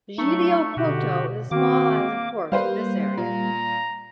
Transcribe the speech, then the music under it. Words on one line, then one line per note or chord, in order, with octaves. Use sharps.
Giglio Porto is a small island port in this area.
F#3 A3 D#4 C#6
B2 D3 F#4 G4
D#3 A#3 C4 F#4 D6
G3 A#3 B4 C5 F5
A#2 A#5